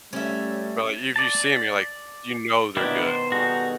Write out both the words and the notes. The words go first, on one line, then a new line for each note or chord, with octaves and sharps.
but like if you see him, you're like, you know, they're good.
G3 A3 C#4 E5
D5 A5
B2 D#3 D4 E4 G4
C5
G3 D#4 F#4 G#4 A4